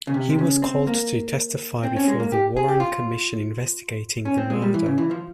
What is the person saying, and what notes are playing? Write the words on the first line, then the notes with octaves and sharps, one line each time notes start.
He was called to testify before the Warren Commission investigating the murder.
C#3
C3
C3
C#3
C4
A#3
C4
C#4
G#3
A#3
G4
G#4
G4
F4
C#4
C4
G#3
G3
E3
C#3
E3
F3